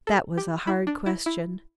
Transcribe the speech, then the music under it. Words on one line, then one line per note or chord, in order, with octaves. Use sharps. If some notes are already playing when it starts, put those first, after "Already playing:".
That was a hard question.
A4
G4
E4
D4
E4
E4